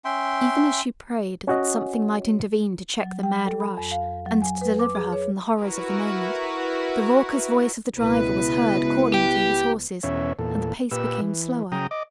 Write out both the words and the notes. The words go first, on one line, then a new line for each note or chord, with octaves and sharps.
Even as she prayed that something might intervene to check the mad rush and to deliver her from the horrors of the moment, the raucous voice of the driver was heard calling to his horses and the pace became slower.
C#4 E5 G5 C6
C#4 F#4 D#5
F#3
G5
A4
B5
F2
F5
F#3
G#5
B4
D6
G#4
C#5
E4 F#4 A#4 B4
C#2 B2 E4 B4
G4
E2 B2 C#4 C#5 E5
E2 A#2 A4
A#2 G4 B4 E6
E3
C#3 F#3 G5 A#5 D#6
D#5 D6